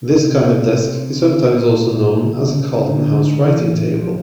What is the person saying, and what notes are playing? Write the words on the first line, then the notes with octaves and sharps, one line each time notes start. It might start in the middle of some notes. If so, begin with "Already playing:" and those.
This kind of desk is sometimes also known as a Carlton House writing table.
C3
A#2
B2
D3
C#3
C#3
D3
E3
F3